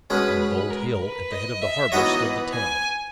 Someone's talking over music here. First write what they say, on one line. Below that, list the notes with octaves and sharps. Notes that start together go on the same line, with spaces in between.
On a bold hill at the head of the harbour stood the town.
B2 G#3 C#4 B4
B4
A#4
B4
D#5
E5
E3 B3 D#4 F#4 C#5 D#5
B4
G#5